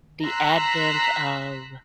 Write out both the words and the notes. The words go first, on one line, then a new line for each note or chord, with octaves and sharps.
the advent of
A#5 C6 E6 F#6 B6